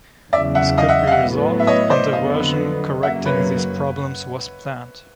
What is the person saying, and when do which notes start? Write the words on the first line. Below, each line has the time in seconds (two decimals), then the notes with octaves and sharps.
This could be resolved, and a version correcting these problems was planned.
0.32 E2 C#3 F#3 D5 E5
0.55 E5 F#5
0.77 D#5 F5
0.89 E5 F#5
1.07 F5
1.11 E5 F#5
1.23 A2 F#3 B3
1.59 E5
1.67 C#5 D#5
1.90 C5 D5
2.12 F2 D3 F#3 B3 D#5 F5
3.03 F#2 C#3 F#3 A#3 E5 F#5
3.25 B4 C#5